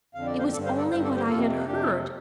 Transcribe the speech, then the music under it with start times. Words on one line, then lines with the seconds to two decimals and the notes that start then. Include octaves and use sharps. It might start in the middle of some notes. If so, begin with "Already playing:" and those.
It was only what I had heard.
0.14 F2 D3 F5
0.26 D5
0.38 C5 F5
0.52 G2 D3 A4 D5
0.65 C5 F5
0.78 A4 D5
0.91 G2 C5 F5
0.94 D3
1.03 A4 D5
1.16 G4 C5
1.29 F2 C3 F4 A4
1.67 F2 C3 D4 G4